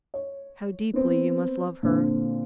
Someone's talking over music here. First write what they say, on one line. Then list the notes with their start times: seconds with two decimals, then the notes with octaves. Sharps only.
How deeply you must love her.
0.14 C#5
0.93 B3 C4
1.83 A#2 D3 C4